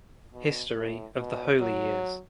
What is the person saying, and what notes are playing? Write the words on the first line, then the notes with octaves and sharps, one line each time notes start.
History of the Holy Years.
B2
A2
B2
F#3